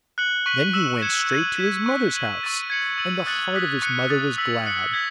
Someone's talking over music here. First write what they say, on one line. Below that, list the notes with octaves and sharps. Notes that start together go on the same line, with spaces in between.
Then he went straight to his mother's house, and the heart of his mother was glad.
F#6 C#7 F#7
C#6 F#6 B6 D#7 F#7
E6 B6 E7
G#6 C#7 E7
G#6 D#7 F#7
G#6 B6 E7
C#6 F#6 B6
G#6 D#7 F#7
C#6 E6 A6 D#7
G#6 C#7 F#7
E6 A6 D#7 F#7
D#6 F#6 A6 C#7 F#7
D#6 F#6 B6
C#6 F#6 C#7
D#6 F#6 A6
E6 B6 F#7
F#6 C#7 F#7
G#6 B6